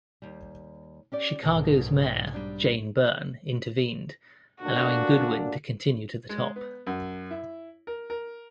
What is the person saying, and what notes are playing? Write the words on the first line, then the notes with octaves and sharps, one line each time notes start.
Chicago's Mayor, Jane Byrne, intervened, allowing Goodwin to continue to the top.
D#2 G3
C#4 G4 D5
B1 G#2 B2 A4 A#4
G3 D4 D#4
D2 A#2 D4 F#4
G#3
B3
F#2
E4
A#4
A#4